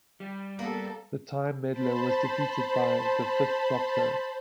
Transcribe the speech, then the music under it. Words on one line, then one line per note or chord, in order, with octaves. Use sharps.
The Time Meddler was defeated by the Fifth Doctor.
G3
A#3 B3 A4
C5 A5 B5